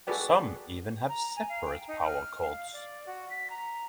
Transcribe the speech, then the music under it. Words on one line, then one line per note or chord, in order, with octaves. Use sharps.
Some even have separate power cords.
F#4 G#4 A4 B4 D5 G5
A#5
G#5
F5
G5
D#4
F6
F5
D5
F#4
B6
A#5